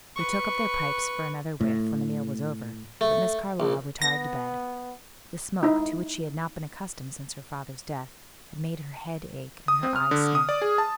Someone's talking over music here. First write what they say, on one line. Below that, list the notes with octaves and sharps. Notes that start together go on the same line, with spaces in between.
They took up their pipes for another whiff when the meal was over, but Miss Carlyle retired to bed; the smoke, to which she had not been accustomed since her father's death, had made her head ache and her eyes smart.
B4 C#6
A2
A3
A#1
B3 A#6
D#4 E4
D#6
C4
F6
D3
D#6
D5
G#4
A5